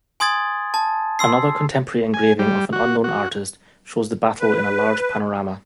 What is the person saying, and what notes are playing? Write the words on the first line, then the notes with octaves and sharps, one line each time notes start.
Another contemporary engraving of an unknown artist shows the battle in a large panorama.
G#5 C6 D#6 G#6 A6
A5
C6 E6 C7
G#5
G3
F#4
F#4
B4